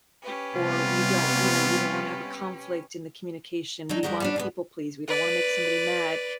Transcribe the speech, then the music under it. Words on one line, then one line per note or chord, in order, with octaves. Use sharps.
or we don't you know, we don't wanna have a conflict in the communication, we wanna people please, we don't wanna make somebody mad,
C#4 G4 B4
C3 G3 B3 F4
F#3 D4 D#4
F2 G3 G#3 F#4 G4 A#4
G3 C#4 D4
D2 G#2 B3
B4 D5